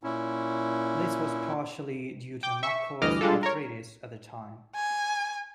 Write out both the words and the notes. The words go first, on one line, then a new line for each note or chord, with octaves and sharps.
This was partially due to McCoy's arthritis at the time.
A#2 C#4 E4
G5 D6 G6
E5 C#6
D2 G2 E3 D#5 D6 F6
G3 G#3 D4 F4 A4
A#4 C#5
G#5